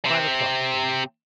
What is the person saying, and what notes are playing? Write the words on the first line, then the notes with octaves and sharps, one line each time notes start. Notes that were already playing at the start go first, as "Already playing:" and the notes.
Five o'clock came.
C3 C4